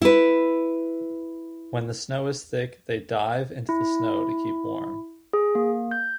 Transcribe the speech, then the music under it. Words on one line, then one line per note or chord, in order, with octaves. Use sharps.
When the snow is thick they "dive" into the snow to keep warm.
E4 B4
E4
G#4
A#3
G6